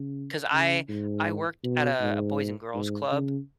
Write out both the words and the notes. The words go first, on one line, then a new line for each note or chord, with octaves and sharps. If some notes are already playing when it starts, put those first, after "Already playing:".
'cause I I worked at a a boys and girls club
Already playing: C#3
C#3
G#2
B2
G#2
G#2
C#3